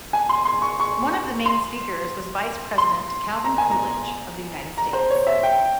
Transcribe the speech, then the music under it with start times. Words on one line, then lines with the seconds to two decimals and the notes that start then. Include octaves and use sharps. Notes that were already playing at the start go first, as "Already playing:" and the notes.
One of the main speakers was Vice President Calvin Coolidge of the United States.
0.13 G#5
0.29 C6
0.45 C6
0.62 C#6
0.80 C#6
1.46 C6
2.78 C6
3.44 A#5
3.58 G#5
3.71 A#5
4.78 A#5
4.93 C5
5.10 C#5
5.27 E5
5.43 G5